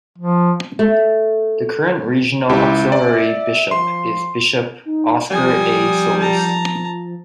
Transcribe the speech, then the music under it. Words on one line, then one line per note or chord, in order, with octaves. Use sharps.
The current regional auxiliary bishop is Bishop Oscar A. Solis.
F3
A3
C#2 E4 G4
D5 E5
F3 C6
D#4
F3 G3 G#5 D#6
A5 A#5